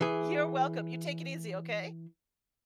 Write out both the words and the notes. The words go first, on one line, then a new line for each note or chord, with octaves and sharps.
You're welcome, you take it easy, okay?
E3 G#4